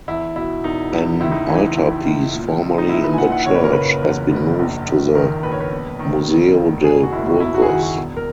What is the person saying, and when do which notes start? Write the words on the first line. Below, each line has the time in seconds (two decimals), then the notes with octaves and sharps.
An altarpiece formerly in the church has been moved to the Museo de Burgos.
0.08 E2 E4
0.36 B2 E4
0.64 E1 D#4
0.92 E2
1.21 C#2 E4
1.31 D#4
1.49 E3
1.54 D#4
1.77 E3
2.05 C#2
2.33 A#2
2.62 A#1
2.78 D#4
2.89 A#2 E4
3.04 B4
3.13 G#5
3.18 A#2 F#5
3.32 F#5
3.46 F#1 C#5
3.55 B4
3.64 A#4
3.73 C#3 B4
4.02 E2
4.31 F#1
4.59 A#1
4.87 A#1
5.15 D#3 A#4
5.43 A#1 B4
5.52 C#5
5.60 B4
5.71 E1
5.99 D#3
6.28 E1
6.56 E1
6.84 F#1 G#4
7.03 F#4
7.12 F#1 E4
7.29 F#4
7.40 F#1 E4
7.54 F#4
7.62 G#4
7.68 D#3 F#4
7.83 F#4
7.97 E1
8.17 A#4